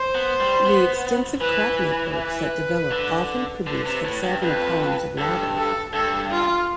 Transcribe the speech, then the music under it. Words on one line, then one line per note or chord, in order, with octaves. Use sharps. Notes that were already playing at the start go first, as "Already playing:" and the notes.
The extensive crack networks that develop often produce hexagonal columns of lava.
Already playing: C5
B3
G3
B3
E3 B4
B4
D3
D3 B4
C3
A2
G2
F2 B4
G2 A4
A4
G2 A4
F4